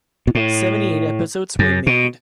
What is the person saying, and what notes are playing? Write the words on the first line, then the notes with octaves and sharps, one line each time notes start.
Seventy-eight episodes were made.
B2
A2
F#2
B2